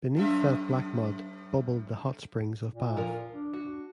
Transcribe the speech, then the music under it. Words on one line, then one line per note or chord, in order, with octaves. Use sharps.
Beneath that black mud, bubbled the hot springs of Bath.
F#2 A2 E5
A#2
F3 F4 A#4
D4
F#4